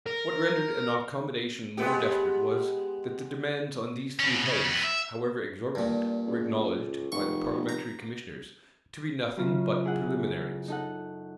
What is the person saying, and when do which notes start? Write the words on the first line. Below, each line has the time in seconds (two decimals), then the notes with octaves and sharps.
What rendered an accommodation more desperate was, that the demands on these three heads, however exorbitant, were acknowledged, by the parliamentary commissioners, to be nothing but preliminaries.
0.06 A#4
1.77 G#3 B3 G4
4.20 B2 C#4
4.46 C#3
4.65 F2 B3
4.84 E5
5.75 G2 A#2
6.28 C#2
7.12 F1 C#6
7.69 A#5
9.37 F#2 C#3 F4
9.84 E4 G#4 F#5
10.68 D#4 A4 F#5